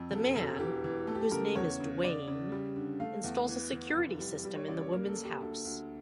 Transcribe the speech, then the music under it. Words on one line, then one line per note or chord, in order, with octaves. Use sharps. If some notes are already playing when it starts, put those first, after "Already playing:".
The man, whose name is Duane, installs a security system in the woman's house.
Already playing: F2
E1 A4
E1 A4
E3 G4
E3
A3 A4
G4
A4
C#3 A#4
E2 C#5
C#3
C#3 D5
C#3
G3
D3
A3 F5
E2
E3
E3
F1
G3
G3
C#5
C#2 D5
C#5
A#3 A#4
A4
A#3
G4
D2 A4
D2